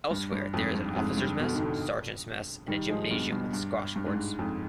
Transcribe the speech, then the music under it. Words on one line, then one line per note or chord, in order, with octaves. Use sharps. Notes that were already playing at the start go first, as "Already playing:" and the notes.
Elsewhere there is an officers' mess, sergeants' mess, and a gymnasium with squash courts.
G2
G2
F2 G#2
G2
F2 G#2
G2
B2 D3
D#3
B2 D3
D#3 G3
F3 G#3
G2 B2
G2 B2
G2
G2
G#2
G2
F2 G#2